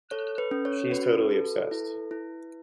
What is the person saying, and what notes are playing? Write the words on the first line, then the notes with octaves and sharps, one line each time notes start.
She's totally obsessed.
A4 C#5
B4
C#4
C#5
F#4 B4
A4
E4
E4